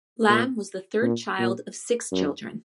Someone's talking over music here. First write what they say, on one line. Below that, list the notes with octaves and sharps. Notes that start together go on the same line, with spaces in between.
Lam was the third child of six children.
A#2
A#2
A#2
F#2